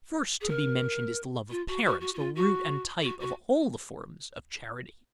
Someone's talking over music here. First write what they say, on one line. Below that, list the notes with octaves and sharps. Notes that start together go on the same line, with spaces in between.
First to be mentioned is the love of parents, the root and type of all the forms of charity.
G#4
A#4
F4
F#4
F#4
F#4
F#4
F4
F#4
F#4
F#4